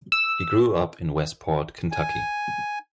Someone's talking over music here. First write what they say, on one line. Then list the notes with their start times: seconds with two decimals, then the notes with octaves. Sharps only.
He grew up in Westport, Kentucky.
0.12 E6
1.91 G#5